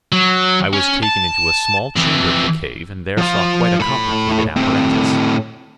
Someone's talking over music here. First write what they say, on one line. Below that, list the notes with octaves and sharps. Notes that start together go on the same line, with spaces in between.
I was taken into a small chamber of the cave, and there saw quite a complicated apparatus.
F#3
C#4
A5
F2 E3
F3 F4
A2 B5
A2 C4